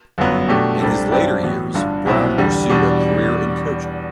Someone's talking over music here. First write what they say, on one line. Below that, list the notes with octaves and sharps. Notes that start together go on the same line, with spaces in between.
In his later years, Brown pursued a career in coaching.
G1 F#2 F#3 B3
B2 A3 D4 G4
C2 C3 G3 D4 A4
G2 F#3 C4 G4 D5
A2 E3 B3 F#4
G1 G2 D3
C2 B2 F#3 C4 E4
E2 D3 G3
E2 B2 G3 D4